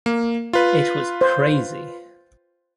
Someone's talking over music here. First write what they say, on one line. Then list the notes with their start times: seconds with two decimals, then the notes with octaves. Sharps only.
It was crazy!
0.06 A#3
0.53 F4 B4
1.21 C5